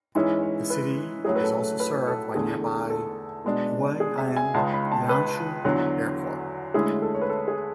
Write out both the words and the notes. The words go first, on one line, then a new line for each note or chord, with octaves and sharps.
The city is also served by nearby Huai'an Lianshui Airport.
G#2 E3 G#3 C#4 E4
C#5
B4
A2 F#3 C#4 E4 G#4
B4
A4
A4
B4
A4
E2 D3 A3 G#4
A4
A4
B2 G#3 D4
G#4
E5
G#5
C#2 C#3 G#3 A5
B5
A5
B4
E2 D3 F#3
D2 D3 G#3 C#4 E4 G#4
A4
C#5
B4
A4
G#4